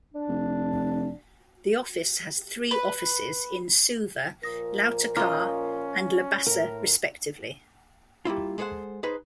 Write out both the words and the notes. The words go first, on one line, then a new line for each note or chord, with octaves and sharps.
The office has three offices in Suva, Lautoka, and Labasa respectively.
D4
F1
B4
A#2 F3 A#4 D#6 A#6
C#4 F4 D#5 A#5 D6 F6
A2 A#4
G3 A#3 E4 F4
G#3 G#4 A4 C5 F#5
D#4 G#4 B4 C5